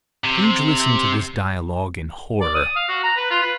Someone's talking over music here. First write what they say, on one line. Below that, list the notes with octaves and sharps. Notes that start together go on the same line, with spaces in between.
Scrooge listened to this dialogue in horror.
C3
D5
D#6
F5
F#4
A#5
B4
F4
B4